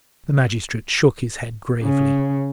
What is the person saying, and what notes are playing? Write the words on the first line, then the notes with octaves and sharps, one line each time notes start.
The magistrate shook his head gravely.
C#3